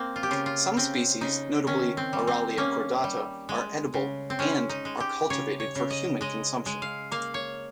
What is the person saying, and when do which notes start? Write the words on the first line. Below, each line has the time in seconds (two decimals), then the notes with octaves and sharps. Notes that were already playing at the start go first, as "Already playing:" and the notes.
Some species, notably "Aralia cordata", are edible and are cultivated for human consumption.
Already playing: A#3 C4
0.16 F4
0.23 G4
0.31 C#3 F4
0.46 F4
0.77 C#3 C4
1.21 C#3 D#4
1.67 D#3 C#4
1.97 C4
2.13 G3
2.27 C4
2.58 A#3 C#4
3.04 G3
3.49 G#3
3.94 C#3
4.30 C4
4.39 G#3 C#4
4.69 D#4
4.85 G#3
5.00 G4
5.30 C#3 C#5
5.60 C#5
5.75 C#3
5.91 D#5
6.21 G#3 D#5
6.66 G#3
6.82 F5
7.11 A#3 F5
7.34 C#5